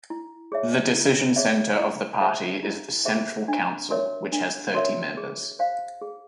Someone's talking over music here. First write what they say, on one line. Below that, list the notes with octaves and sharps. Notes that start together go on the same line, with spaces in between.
The decision center of the party is the Central Council, which has thirty members.
E4
G#4 C#5 E5
E4
G#4 C#5 E5
E4
G#4 C5 E5
E4
G#4 C5 E5
D4
F#4 A#4 C#5 E5
D4
F#4 A#4 C#5 E5
G#4
C5 F5
G#4